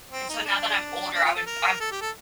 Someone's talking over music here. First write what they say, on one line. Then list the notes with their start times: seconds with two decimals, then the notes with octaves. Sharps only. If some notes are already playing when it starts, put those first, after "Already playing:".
and so now that I'm older, I would I
0.11 C4
0.29 D#4
0.45 D4
1.13 D4
1.24 F4
1.36 A4
1.46 A#4
1.80 A4
1.92 G4
2.02 A4